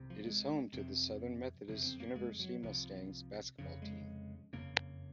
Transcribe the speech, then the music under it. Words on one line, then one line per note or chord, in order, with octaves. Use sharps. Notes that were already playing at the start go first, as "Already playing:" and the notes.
It is home to the Southern Methodist University Mustangs basketball team.
Already playing: C2 C3
F3
G#3
F1 F2 C3 C4
F#1 F2 C3
C4
A#3
G#3
F#3
C2 C3 F3
F1 F2 C#3
G#3
F#1 F2 C#3 A#3